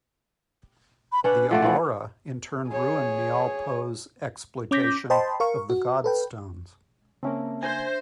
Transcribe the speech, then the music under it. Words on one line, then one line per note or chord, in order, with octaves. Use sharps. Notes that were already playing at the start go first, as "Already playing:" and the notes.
The Aurora in turn ruined Niall Poe's exploitation of the God Stones.
B5
C#4 D4 B4 F#5
F3 A3 D5 F#5
E3 F3 E4
G#4 C#5
C#4 D6 G6 A#6 B6
C5 D#5 G5 A5 B5 C6
A#4 F5 C#6
F#4
A4 B4 G5
C#3 A#3 C4 C#4 A#4 E5 A5
D4 C5 E5 G#5 G#6 A#6